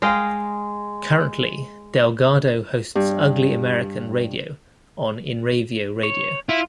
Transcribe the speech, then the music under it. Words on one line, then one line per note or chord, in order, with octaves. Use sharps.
Currently, Del Gado hosts "Ugly American" Radio on Inravio Radio.
G#3 D#5 F5 G5
G2
C#5
E4 F4